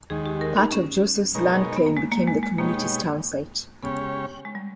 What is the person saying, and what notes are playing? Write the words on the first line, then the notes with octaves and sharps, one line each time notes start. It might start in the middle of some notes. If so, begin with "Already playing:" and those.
Part of Joseph's land claim became the community's townsite.
D#2 D#3 G#3 G#4
G4
A#4
D#4
C#4
B2 G#3 D#4 A#4 C#5
B3
A#3
G#3
A#3
G#3
G#3
B2 G#3 A#3 D#4 G4 C#5
C#3 G#3 B3 C#4 G4 C#5
G#3
G3